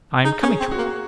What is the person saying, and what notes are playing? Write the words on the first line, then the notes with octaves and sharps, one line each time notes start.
I'm coming to it!
D#4 G#4
C#4
G#4
C4
F#4
A#3